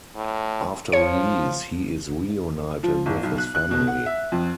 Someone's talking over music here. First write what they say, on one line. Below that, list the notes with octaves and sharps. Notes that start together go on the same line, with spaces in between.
After release he is reunited with his family.
A2
F3 C#5 C#7
F3
G1
B1
F#6
F#6
B2
F#5
E5
F2